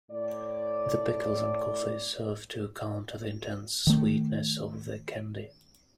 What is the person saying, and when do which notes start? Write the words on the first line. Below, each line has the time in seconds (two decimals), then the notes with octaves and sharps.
The pickles and coffee serve to counter the intense sweetness of the candy.
0.11 A2 D5
3.87 D#3 A3